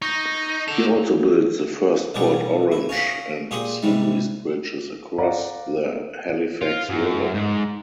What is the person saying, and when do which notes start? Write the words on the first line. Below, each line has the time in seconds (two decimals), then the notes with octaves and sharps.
He also built the first Port Orange and Seabreeze bridges across the Halifax River.
0.02 D#4 C#6 G6 A#6
0.68 D3 A4 F7
2.14 A1 B2 G3 G4 G#4 F#5
2.72 E4
2.89 C#4 F5 F#5
3.51 A#2 G4 G#4 C6 D#6
3.83 G#2 C3 E3 G3
5.18 C5 D5 F5 F#5 A#5
6.61 F4
6.89 F#2
7.34 G#2